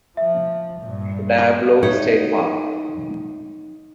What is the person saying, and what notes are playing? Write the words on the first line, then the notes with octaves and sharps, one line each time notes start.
Diablo State Park.
F3 E5
G2 A#2
D#4 C#5 E5 F#5